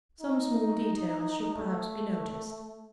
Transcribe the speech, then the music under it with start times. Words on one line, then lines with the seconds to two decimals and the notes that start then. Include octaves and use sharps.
Some small details should perhaps be noticed.
0.21 D#4
1.53 A3